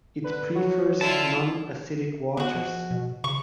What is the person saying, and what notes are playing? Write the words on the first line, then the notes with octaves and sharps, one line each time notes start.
It prefers non-acidic waters.
D3 B4
F#3 F#4
D3 E4 F4 A5
G#3 B3 F#4
F3
B2
C#3 C#6